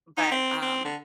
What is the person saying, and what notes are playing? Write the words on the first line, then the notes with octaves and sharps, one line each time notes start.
But, um,
D#4
C4
C4
D3